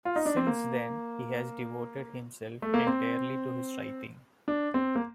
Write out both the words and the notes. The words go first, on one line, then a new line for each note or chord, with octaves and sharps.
Since then, he has devoted himself entirely to his writing.
F4
D#4
D4
C4
A#3
A3
A#3
C4
D4
C4
A#3